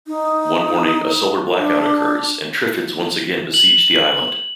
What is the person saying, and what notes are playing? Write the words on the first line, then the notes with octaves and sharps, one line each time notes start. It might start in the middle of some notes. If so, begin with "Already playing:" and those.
One morning, a solar blackout occurs and triffids once again besiege the island.
D#4
D4
F#7